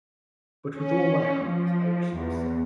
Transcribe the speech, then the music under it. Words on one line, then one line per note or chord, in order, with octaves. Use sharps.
But with all my heart, I wish it was so.
C#4
F3
E2